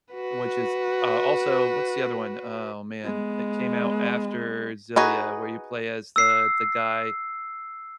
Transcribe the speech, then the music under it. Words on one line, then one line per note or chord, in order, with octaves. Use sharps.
which is, uh, also what's the other one? Oh, man. It came out after Xillia where you play as the the guy,
F#4 B4
G#3 B3
D#4 F#4 G#4 B4
E6 C7